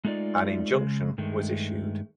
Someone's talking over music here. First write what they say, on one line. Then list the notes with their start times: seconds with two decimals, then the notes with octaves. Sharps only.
An injunction was issued.
0.05 G#3 A3 D#4 F4 D5
0.72 C#3 G#3
1.18 G2 D#3 G#3 A3